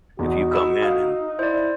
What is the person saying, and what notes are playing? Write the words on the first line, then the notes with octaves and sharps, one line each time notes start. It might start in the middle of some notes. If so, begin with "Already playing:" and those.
if you come in and
E2 B2 D#4 F#4
B5 E6 E7
F5 D#6 F6
E4 C5 D5